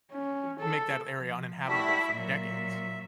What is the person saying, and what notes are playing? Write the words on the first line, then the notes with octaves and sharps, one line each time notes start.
make that area uninhabitable for decades.
C#4
A4
F3
G3 A3 E4 F#4 E5
A#2 F#3 E5